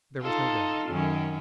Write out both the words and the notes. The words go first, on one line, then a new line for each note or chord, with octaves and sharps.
There was no doubt of it.
D#4 F4 A4
F#2 D#3 C#4